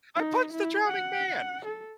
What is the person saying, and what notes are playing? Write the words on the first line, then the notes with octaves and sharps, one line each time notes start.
I punched the drowning man!
D#4
E4
F#5
A4